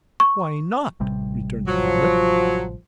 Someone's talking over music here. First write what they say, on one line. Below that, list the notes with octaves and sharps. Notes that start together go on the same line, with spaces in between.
"Why not?" returned the pilot.
C#6
A1 C3 G3
F3 F#3